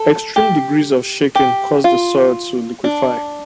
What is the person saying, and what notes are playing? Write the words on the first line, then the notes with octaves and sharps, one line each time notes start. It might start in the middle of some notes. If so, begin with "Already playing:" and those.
Extreme degrees of shaking caused the soil to liquefy.
Already playing: A4
G4
G4
F4
D4